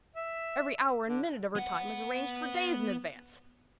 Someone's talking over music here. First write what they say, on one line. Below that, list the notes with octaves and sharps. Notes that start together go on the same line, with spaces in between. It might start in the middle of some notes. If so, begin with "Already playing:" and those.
Every hour and minute of her time is arranged for days in advance.
E5
D3
B3 F#5